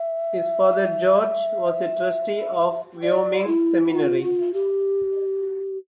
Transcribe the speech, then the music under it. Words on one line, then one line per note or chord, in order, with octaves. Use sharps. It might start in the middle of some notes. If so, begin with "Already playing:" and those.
His father George was a trustee of Wyoming Seminary.
Already playing: E5
D5
E4
F4
F4
G4